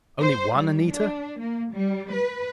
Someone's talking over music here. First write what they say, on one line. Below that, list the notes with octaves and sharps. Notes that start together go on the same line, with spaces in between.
"Only one, Anita?"
C5
G3
D4
A#3
G3
B4